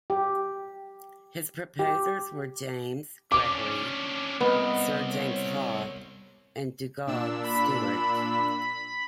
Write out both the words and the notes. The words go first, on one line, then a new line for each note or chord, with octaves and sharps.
His proposers were James Gregory, Sir James Hall, and Dugald Stewart.
G4
G4
C#4 D4 D6
C2 B3 D#5
C#5
A#2 D4 E6
B5